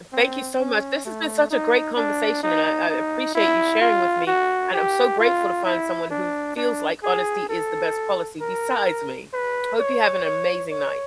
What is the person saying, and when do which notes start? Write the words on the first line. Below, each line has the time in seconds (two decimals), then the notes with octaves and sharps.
Thank you so much. This has been such a great conversation, and I I appreciate you sharing with me, and I'm so grateful to find someone who feels like honesty is the best policy besides me. Hope you have an amazing night.
0.13 C4
0.59 C#4
1.05 A3
1.50 D#4
1.97 D4
2.43 D#4
2.89 D#4
3.35 E4
3.81 F4
4.27 F#4
4.74 G4
5.20 F4
5.65 E4
6.10 D4
6.56 D4
7.03 G#4
7.49 A4
8.41 A#4
9.33 B4
9.79 C#5
10.24 C#5
10.71 C#5